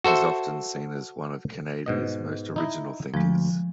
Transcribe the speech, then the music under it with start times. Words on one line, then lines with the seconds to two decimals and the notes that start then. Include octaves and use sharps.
He is often seen as one of Canada's most original thinkers.
0.04 F#4 A4 C5 E5
1.86 G#2 B2 D#5
2.56 D#4 E4 D#5
3.14 D2 F3 G#3